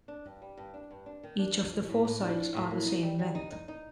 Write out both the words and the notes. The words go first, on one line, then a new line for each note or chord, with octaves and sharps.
Each of the four sides are the same length.
D4
G2
G3
G2
D4
G2
D4
D#3
D4
F3
A2
A2
A2
D4
F3
A2
A#3
D#4
G3
G3
D#4
D#4
D#4